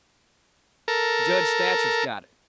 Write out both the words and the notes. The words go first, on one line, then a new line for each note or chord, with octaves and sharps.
Judge Thatcher's got it.
A4 A#4